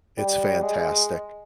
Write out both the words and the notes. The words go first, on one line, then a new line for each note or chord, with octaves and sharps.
It's fantastic.
G3
G#3